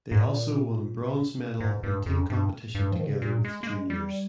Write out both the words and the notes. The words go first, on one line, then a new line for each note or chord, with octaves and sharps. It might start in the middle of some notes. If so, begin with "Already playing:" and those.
They also won bronze medal in Team competition together with juniors.
G#2
A#2
G#2
G2
F2
G2
G2
F3
D#3
C#3
C3
A#2
G#3
A#3
G#3
G3